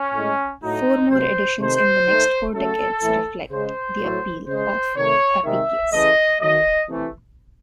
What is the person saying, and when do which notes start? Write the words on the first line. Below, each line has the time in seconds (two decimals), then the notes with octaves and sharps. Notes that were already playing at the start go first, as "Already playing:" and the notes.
Four more editions in the next four decades reflect the appeal of "Apicius".
Already playing: C#4
0.13 A2 G#3
0.62 A2 F#3 A3 D#4
1.10 C3 F#3 A3 C5
1.59 C3 D#3 A3 C5
2.07 D#3 A3
2.54 C#3 F#3 A3 A4
3.03 A2 E3 A3
3.51 C#3 G#3 C5
4.00 A2 F#3 A3
4.47 C#3 G#3 C5
4.96 C3 D#3 A3 C#5
5.44 C3 D#3 G#3 E5
5.92 C#3 E3 A3 D#5
6.40 D#3 F#3 A3 D#5
6.89 C3 E3 A3